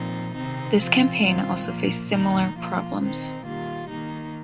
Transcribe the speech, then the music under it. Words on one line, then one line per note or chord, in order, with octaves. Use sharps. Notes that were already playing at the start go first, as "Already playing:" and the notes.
This campaign also faced similar problems.
Already playing: A#2 F3 C4 D#4
C3 D#3 C4 D#4
C3 F3 C4 F4
D#3 G3 C4 F4
A#2 F3 A#3
D#3 A#3 D#4
F3 A#3 F4
D#3 C4 D#4
D#3 G3 A#3 F4
D#3 A#3 D#4